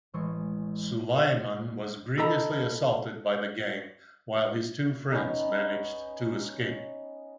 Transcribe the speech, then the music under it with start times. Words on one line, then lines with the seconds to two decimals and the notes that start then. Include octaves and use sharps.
Sulaiman was grievously assaulted by the gang while his two friends managed to escape.
0.14 A1 E3 G#3 C6 C#6 D#6
2.18 A4 D#5 A#5 B5
5.11 B3 C#4 D#4 A#5